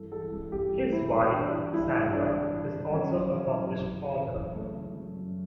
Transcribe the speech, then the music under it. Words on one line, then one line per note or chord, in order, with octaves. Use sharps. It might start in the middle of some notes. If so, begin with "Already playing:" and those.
His wife, Sandra, is also a published author.
Already playing: G2 E3 A4
E3 A4
G2
G2 G4
E3
G2 E4
G2
E3 D4
E3
G2 E4
G2
E3 D4
G2
E3
G2
F#2 C#4
E3
E3
F#2
C#3
C#3
E3
E3
C#3 A3
C#3
F#2
F#2